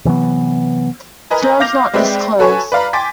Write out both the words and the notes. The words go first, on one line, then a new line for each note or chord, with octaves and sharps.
Terms not disclosed.
C3 E3 F#3 B3
A#4 B4 D#5 G#5 A#5
F5 D6 G6 A#6 F7
G#3 C4 B4 D5 E5 G5
F#4 A4 B4 C#5 G#5 C#6
B4 D5 F5 A#5 B5
G5 G#5 C6 D6 A6 B6